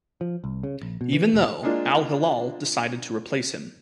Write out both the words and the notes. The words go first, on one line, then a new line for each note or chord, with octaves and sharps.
Even though, Al-Hilal decided to replace him.
F3
C2
C#3
A#1
B2
E3
E1
G#3 A#3 D4 F4